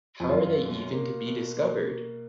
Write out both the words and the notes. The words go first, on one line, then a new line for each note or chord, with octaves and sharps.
How are they even to be discovered?
F2
F#2 F4
B2
A#3
B2
A#3